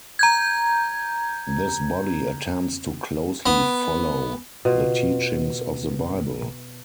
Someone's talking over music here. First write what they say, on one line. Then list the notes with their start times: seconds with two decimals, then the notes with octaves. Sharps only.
This body attempts to closely follow the teachings of The Bible.
0.19 A#5 G6 G#6
3.46 B3
4.65 B2 F4